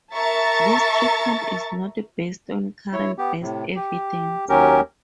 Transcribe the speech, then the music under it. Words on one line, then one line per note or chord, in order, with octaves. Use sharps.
This treatment is not based on current best evidence.
A#4 E5 A5 A#5 C#6 A6
E4 C#5
B3 G4
A2 C3
G4
D#2 F#3 C#4 G4 A#4